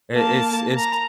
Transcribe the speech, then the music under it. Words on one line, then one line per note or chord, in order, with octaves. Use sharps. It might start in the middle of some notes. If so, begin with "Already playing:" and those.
i it's it's
A#3 A5
A#5